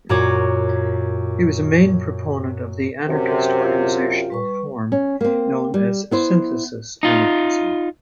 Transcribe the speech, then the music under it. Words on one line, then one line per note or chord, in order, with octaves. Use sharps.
He was a main proponent of the anarchist organizational form known as synthesis anarchism.
F#2 A#2 F#4 C#5 D6
F#2 C3
F4 G4 F5
G3 B4 C#6
C#4
A#3 C4
G3
B3 E4 C5
D#4 F4